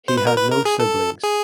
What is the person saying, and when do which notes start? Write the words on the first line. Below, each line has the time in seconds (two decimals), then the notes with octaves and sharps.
He had no siblings.
0.08 C5
0.17 B4
0.27 A#4
0.37 B4
0.52 A#4
0.65 G#4
0.80 A4
1.23 G#4